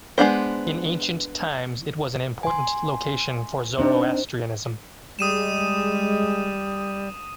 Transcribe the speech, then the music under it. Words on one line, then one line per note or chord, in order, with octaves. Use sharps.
In ancient times it was an important location for Zoroastrianism.
G#3 B3 D4 C5
G#5 C6
C4 D4 D#4 C5
G3 G#3 D#6 D#7 E7